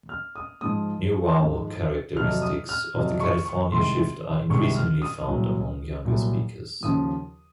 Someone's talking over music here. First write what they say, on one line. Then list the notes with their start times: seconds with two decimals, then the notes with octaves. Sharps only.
New vowel characteristics of the California Shift are increasingly found among younger speakers.
0.09 F6
0.36 D#6
0.61 G#2 F3 G#3 D#6
1.39 G#2 F3 G#3
2.17 F2 C3 F#3 F6
2.42 D#6
2.69 F6
2.94 F2 C3 F#3
3.20 C#6
3.45 C#6
3.71 C2 C3 D#3 G#3 C6
4.49 C2 C3 D#3 G#3 C#6
4.75 F6
5.02 D#6
5.27 C2 A#2 F#3
6.05 C2 A#2 F#3
6.83 D#2 C#3 F3 D#6